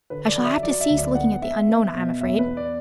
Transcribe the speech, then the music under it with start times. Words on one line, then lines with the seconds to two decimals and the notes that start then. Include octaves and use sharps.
I shall have to cease looking at the Unknown, I am afraid.
0.10 D3 B4
0.28 D5
0.37 F#3
0.45 E5
0.63 F#3 D5
0.81 E5
0.90 D2
0.98 D5
1.15 B3 F#5
1.42 B3 E5
1.68 B3
1.95 B2
2.21 E2 E5
2.39 B4
2.47 B3
2.57 D5